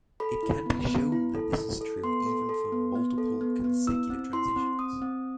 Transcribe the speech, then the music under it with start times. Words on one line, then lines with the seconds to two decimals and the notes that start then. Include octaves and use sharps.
It can be shown that this is true even for multiple consecutive transitions.
0.20 A4 B5
0.43 E4
0.66 B3
0.89 B3
1.12 E4
1.35 A4
1.58 E4
1.81 A4
2.03 B3 C6
2.26 A4
2.49 A4
2.72 B3
2.95 B3
3.18 A4
3.41 B3
3.64 B3
3.87 E4 E6
4.10 C4
4.33 E4 C6
4.56 C4
4.79 C4 D#6
5.02 C4